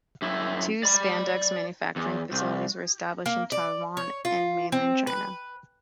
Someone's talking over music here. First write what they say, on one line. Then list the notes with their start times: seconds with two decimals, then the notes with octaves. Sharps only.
Two spandex manufacturing facilities were established in Taiwan and mainland China.
0.22 F#2 E4
0.83 D5 B5
1.96 E2
2.32 C2
3.26 A#3
3.52 D5
3.97 C#5
4.25 F4
4.72 C4
5.07 B4